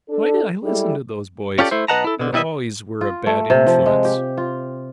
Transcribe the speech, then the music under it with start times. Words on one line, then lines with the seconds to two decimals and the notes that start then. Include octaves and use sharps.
Why did I listen to those boys? They always were a bad influence!
0.10 D4 A4
0.63 G3 G#3 E4 G#4 A4
1.59 C#4 F4 G4 A4 D5
1.71 A3 E4 C5
1.88 B1 B4 D#5 F#5 A5 A#5
2.04 E4 A4
2.19 B2 D3
2.33 B2 G3 E4 D#5 E5
3.01 F4
3.26 A3
3.50 C3
3.66 F3
3.86 G#3
4.05 G4
4.37 F4